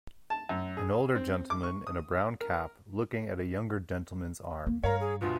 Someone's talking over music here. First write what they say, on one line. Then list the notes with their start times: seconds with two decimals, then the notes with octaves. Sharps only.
An older gentleman in a brown cap looking at a younger gentleman 's arm.
0.30 A5
0.49 F#2
0.77 G#4
1.15 C4
1.50 D6
1.63 C#6
1.87 D#6
2.40 A#4
4.67 A#3
4.84 G2 A#4 C#5 F5 A#5
5.00 G#4
5.21 G1 D2 B2 F4